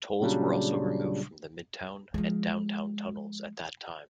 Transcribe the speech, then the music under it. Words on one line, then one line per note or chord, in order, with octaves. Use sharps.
Tolls were also removed from the Midtown and Downtown tunnels at that time.
A#2 C#3 F#3 G3 D4
F3 G#3